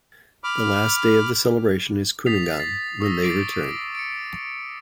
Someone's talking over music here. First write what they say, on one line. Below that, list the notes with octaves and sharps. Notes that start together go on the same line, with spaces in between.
The last day of the celebration is Kuningan, when they return.
B5 D6 F6
D#6 A6 B6 C7 F7
A6 C7
C#6 D#6 E6 A#6
D6 A6 A#6 C7 D7
C#7 D7